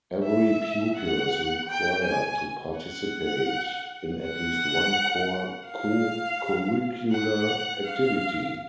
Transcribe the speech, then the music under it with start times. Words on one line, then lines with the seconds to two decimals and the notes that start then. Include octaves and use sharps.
Every pupil is required to participate in at least one core co-curricular activity.
0.24 E5
0.96 F#5
1.68 G5
2.05 G#5
2.77 F#5
4.23 F#5
5.68 F5
7.12 F#5
7.85 F5